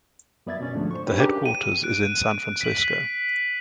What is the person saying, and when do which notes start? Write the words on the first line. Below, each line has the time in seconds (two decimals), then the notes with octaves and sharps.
The headquarters is in San Francisco.
0.46 F#2 B3 D5 E5 G#6 A6
0.61 B2 C#4 D5
0.75 D2 G#2 F3 A3 B3 D4
0.91 C5 C#6
1.06 C4 D4 D#4 G4 B4 C#5
1.20 C#4 D4 G4 G#4 A#4 B4
1.46 D#7
1.83 F#6 D7
2.61 B6 F#7